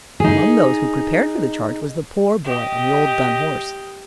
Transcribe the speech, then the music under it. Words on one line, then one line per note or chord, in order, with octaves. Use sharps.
Among those who prepared for the charge was the poor boy on the old dun horse.
D#4 G#4
G4 D#5